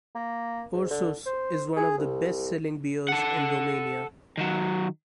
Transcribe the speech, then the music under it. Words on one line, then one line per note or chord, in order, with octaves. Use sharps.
Ursus is one of the best-selling beers in Romania.
A#3
G#2
D3
C5
G#4
C2
A4 F#5
D#3 F#3